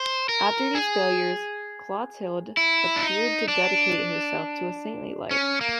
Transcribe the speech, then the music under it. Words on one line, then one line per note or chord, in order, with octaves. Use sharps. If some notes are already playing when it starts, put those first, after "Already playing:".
After these failures, Clotilde appeared to dedicate herself to a saintly life.
Already playing: C5
A#4
G#4
E4
D4
D#4
D4
C#4
A#3